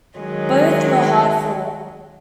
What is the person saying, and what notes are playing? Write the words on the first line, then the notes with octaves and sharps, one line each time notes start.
Both were hard fought.
D#3 F#3 G#3